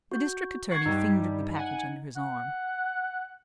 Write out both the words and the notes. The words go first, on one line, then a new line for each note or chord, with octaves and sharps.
The district attorney fingered the package under his arm.
F#4 G6
F#5 C#6 G#6 C7
G2 G3 D#4
F#5 G#5
F#5